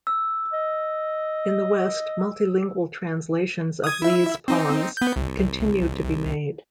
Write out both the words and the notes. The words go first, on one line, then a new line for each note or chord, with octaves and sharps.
In the West, multi-lingual translations of Li's poems continue to be made.
E6
D#5
D#6 G#6
E4 E5
C4 D#4
B3 G6
C2